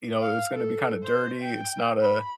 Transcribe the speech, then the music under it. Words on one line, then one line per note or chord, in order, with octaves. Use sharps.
you know, it was gonna be, kinda, dirty. It's not a
F5
A4
C5
G5
B5